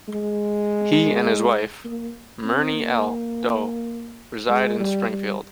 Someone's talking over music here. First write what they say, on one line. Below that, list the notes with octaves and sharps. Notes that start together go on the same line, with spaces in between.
He and his wife, Myrnie L. Daut, reside in Springfield.
G#3
A#3
C4
A#3
G#3
G3
G3